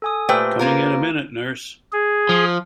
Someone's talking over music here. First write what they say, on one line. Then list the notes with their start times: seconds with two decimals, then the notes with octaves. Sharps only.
Coming in a minute, nurse!
0.02 A4 G#5 D#6
0.29 A#2 A3 G4 B4 C5 G5
0.59 A#3 F4 A#4
1.93 G#4
2.29 F3